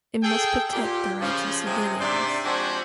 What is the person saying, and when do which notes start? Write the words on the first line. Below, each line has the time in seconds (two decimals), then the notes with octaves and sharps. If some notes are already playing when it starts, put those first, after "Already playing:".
It must protect the rights of civilians.
0.23 G#4 A4 G5
0.73 A#2 G4
1.21 C#3 F3
1.65 C3 G#3
2.00 G#2 C3 D4 C5 D5 E5
2.45 F3 G#3 C4 D4 F#4 G4